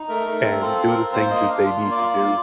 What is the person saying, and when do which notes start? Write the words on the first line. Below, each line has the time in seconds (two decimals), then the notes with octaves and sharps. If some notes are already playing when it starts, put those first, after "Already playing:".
and do the things that they need to do,
Already playing: D#4
0.09 A3 A#4
0.27 A3
0.44 C4
0.61 F4 A4
0.79 C4
0.87 A#4
0.96 F4
1.13 A#3 C5
1.31 A#3 D#5
1.48 D4 F5
1.65 F4
1.84 A#3
1.91 D5
2.01 F4
2.18 A#3